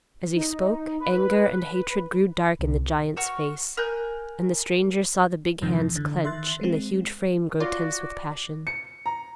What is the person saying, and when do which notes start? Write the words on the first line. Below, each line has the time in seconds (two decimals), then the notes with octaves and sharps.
As he spoke, anger and hatred grew dark in the giant's face, and the stranger saw the big hands clench and the huge frame grow tense with passion.
0.35 D#4
1.00 B4
2.59 C2
3.17 F#4 C#5 C#6 F6
3.77 A#4 G#5 F#6 G6
5.61 F2 G#2 C3 D#3 F3
5.95 D3 E3
6.24 D#3 E5 C6 F#6 A6
6.61 G#3 C4
7.60 F4 F#4 D5
8.67 C#7
9.06 A#5